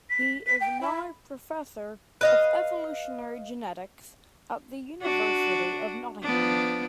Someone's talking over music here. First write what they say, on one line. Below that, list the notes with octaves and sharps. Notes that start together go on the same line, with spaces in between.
He is now Professor of evolutionary genetics at the University of Nottingham.
B6
B6
G5
E4
B4 D#5 F5
D4 F#4
F3 B3 D4